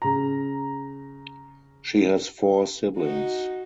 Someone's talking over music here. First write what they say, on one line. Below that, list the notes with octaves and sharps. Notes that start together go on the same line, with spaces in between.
She has four siblings.
C#3 A#5
D#4 F#4